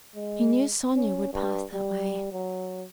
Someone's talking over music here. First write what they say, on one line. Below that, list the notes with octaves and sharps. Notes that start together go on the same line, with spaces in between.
He knew Sonya would pass that way.
G#3
C#4
G2
G3
F#3